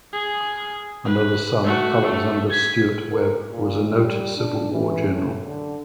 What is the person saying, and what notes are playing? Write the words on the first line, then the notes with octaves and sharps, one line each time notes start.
Another son, Alexander Stewart Webb, was a noted Civil War general.
G#4
B4
A3 F#4
A3
G#6 B6
A#4
A#2
G3
D4
E3
A2
D3